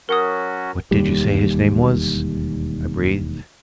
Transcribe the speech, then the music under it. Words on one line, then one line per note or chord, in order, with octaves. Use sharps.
"What did you say his name was?" I breathed.
F#3 C#4 F#4 A#4 F#5 D#6
E1 D#2 G3